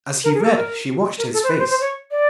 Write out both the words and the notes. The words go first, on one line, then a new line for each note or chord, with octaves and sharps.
As he read she watched his face.
A#4
G#4
A#4
A4
A#4
A#4
A4
C5
B4
C5
C5
C#5
D5